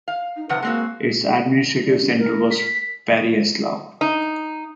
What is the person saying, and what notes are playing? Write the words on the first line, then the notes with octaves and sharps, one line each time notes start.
Its administrative centre was Pereyaslav.
F5
D#4
C3 F3 B4 F#5
G#3 A#3 C4 F#4
A#4
B6
D#4